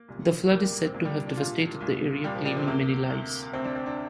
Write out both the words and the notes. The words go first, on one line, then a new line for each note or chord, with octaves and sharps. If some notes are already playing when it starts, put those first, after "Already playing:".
The flood is said to have devastated the area, claiming many lives.
Already playing: A#3
C2 A#2
C2 A#2 A#3
G3
A#3
C4
C2 A#2 A#3
G3
D4
C2 A#2 F4
C2 A#2
C2 A#2 G3
F3
G3
C4
D2 C3 A#3
D2 C3
D2 C3 C4
D4
C4
D4